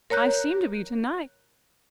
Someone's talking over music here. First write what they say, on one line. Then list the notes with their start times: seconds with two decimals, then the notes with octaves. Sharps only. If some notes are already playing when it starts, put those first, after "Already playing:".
'I seem to be to-night.
0.10 A#4 C#5 A#5 F#6 G6